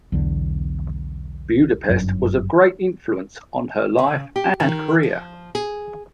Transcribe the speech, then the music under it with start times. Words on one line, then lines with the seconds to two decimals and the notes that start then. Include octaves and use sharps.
Budapest was of great influence on her life and career.
0.12 B1 E2 D3
1.89 G1 C#2 F#2 F#3
3.99 C#3
4.36 G4
4.60 D#3
5.03 F3
5.55 G#4